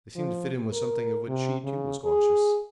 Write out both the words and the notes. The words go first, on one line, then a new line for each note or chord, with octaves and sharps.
They seemed to fit in with something of which she too was conscious.
F3
A#4
C3
C#3
G#4